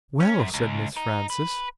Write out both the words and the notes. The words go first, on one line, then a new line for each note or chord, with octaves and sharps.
"Well!" said Miss Frances.
C#4
F#2
C#2
D#4
B4